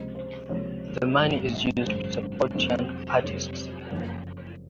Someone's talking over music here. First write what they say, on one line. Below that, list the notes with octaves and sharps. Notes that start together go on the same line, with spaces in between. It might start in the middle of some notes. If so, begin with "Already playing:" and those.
The money is used to support young artists.
Already playing: C#2 C3 F3 A#3 C5 D#5
C5
C#2 C3 F3 A#3 C#5
G#1 F#2 C#3
G#1 F#2 C#3 C5
F2 C3 F#3 A#3 C5
F2 C3 F#3 A#3 C#5
F#1 F#2 F3 A#3